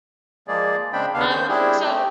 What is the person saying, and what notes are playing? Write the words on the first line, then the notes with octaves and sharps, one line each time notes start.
um, so
F3 G#3 A#3 G#4 D5
C#3 G#3 C4 D4 G5 B5
D#2 C#3 B3 D4 F5
D#3 C#4 C5 G6
G3 C4 D4 E4 G4 G#4
A3 C4 G4